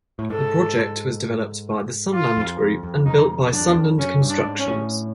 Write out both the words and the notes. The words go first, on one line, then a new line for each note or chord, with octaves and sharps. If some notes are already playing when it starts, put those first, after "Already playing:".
The project was developed by The Sunland Group and built by Sunland Constructions.
A2
G#2 A4
F4
F2
F2
F2
F2 D#4
F#2 D4
F2
E2
F2
F#2 C#4
G2
D4
G#2
C#4
A2